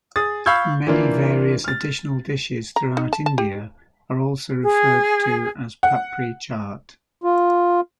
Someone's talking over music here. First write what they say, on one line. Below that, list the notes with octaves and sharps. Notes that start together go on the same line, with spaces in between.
Many various additional dishes throughout India are also referred to as papri chaat.
G#4 D#6 A6
F5 B5 C#6 E6 G6 G#6
E3 A#3 D4 F4
F6 A6
A#5
D#4
A5
A5
G4
G#4
F#5
F4